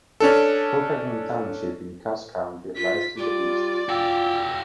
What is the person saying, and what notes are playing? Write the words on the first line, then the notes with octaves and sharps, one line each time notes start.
Pokagon Township in Cass County lies to the east.
C#4 D4 A4
F4 B6
G3 F4 D5
F4 F#4 G5 E6